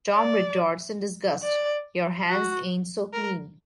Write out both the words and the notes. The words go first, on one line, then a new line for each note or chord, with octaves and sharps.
Tom retorts in disgust: Your hands ain't so clean.
D5
D5
F#4
A#4